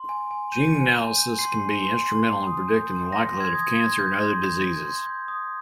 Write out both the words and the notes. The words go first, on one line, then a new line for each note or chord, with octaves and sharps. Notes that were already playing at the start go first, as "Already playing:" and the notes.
Gene analysis can be instrumental in predicting the likelihood of cancer and other diseases.
Already playing: C6
G#5
G#5
G6 D#7
G#5
G#5
G6
C6 C7
G#5
C6
C6
C6
D#6
G6
C6
C6 A#6
C6
G#6
D#6
G#6
C6
G6
C6
G6
C6
C6
G6
D#6